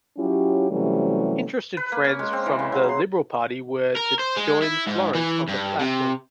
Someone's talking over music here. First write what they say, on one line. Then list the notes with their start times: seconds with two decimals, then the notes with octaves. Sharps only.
Interested friends from the Liberal Party were to join Florence on the platform.
0.17 F#3 C#4 E4 F4 G4
0.70 C3 E3 F#3 G3 A3 C#4
1.77 B4
1.92 A#3
2.04 C#4
2.19 G#3
2.33 C4
2.46 E3
2.59 C#3
2.72 F#3
2.89 C6
3.96 A#4
4.19 C5
4.37 G#3
4.63 E4
4.87 G#2
5.15 E3
5.48 G2
5.79 C3